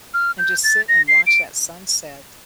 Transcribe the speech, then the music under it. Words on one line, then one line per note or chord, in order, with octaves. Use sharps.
and just sit and watch that sunset
F6
G6
A6
A#6
C7
D7